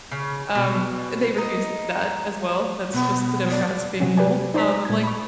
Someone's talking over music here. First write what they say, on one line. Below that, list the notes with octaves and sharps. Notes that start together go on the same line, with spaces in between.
Um, they refused that as well, that's just the Democrats being evil, um, I'm like
C#3
B2
D#4
B2 B3
D5
C3 F#3 C#4
G4 B4 D5 G#5
D#4 C5 D5 A#5 B6
A#2 G#6
B5 C#6